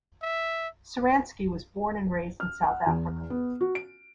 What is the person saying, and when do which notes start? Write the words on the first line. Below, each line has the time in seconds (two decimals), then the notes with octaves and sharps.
Suransky was born and raised in South Africa.
0.23 E5
2.40 F6
2.64 F#5
2.86 E2
3.30 B3
3.61 F#4
3.75 D7